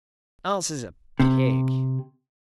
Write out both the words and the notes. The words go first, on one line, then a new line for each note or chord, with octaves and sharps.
Alice is a pig.
C3